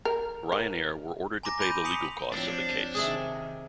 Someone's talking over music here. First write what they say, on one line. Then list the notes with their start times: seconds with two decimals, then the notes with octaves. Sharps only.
Ryanair were ordered to pay the legal costs of the case.
0.05 A#4
0.52 A#4
1.43 G#5 A#5 C6 D6 A#6
1.60 B5 G6 D7 D#7 G7
1.84 G#5 D#6 B6 C#7 F7 F#7
2.32 F3 C4 D4 C#5
2.95 C3 D#3 G#4 E5